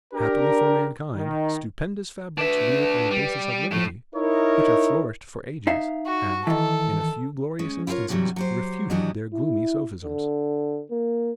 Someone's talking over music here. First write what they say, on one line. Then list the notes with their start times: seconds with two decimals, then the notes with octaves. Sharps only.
Happily for mankind, stupendous fabrics reared on the basis of liberty, which have flourished for ages, have, in a few glorious instances, refuted their gloomy sophisms.
0.14 D4 G4 A#4
1.16 D#3
2.38 D4 B4 E5
3.11 G3
3.72 A2 F3 A3
4.15 D#4 E4 A#4 C#5
5.67 D#4 E5 F5
6.06 F#4
6.47 D#3 E3 A4
7.59 G#3 C#4
7.87 E4 F4 G#4 A#4 C#5
8.08 G2 C3 E3 F#3 G3
8.36 F#3 G4 C5
8.90 D#3 E3 F#3 D4 G4 D#5
9.34 E4
10.04 D3
10.91 A#3